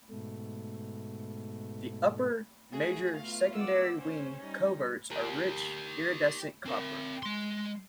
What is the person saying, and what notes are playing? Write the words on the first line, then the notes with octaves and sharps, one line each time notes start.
The upper, major secondary wing coverts are rich iridescent copper.
G#2 B2 A3
A3 F#4 G#4
B3 F4 F5
D5 F#5 E6
C#4 C5 C#5
G3 D#4
G4 A#4
C4 A#4
G#3 C6